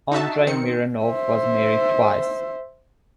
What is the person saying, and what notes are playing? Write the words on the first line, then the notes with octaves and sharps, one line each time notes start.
Andrei Mironov was married twice.
D#4 F#4 E5 A5
D#3 C4 C#7
C5 E5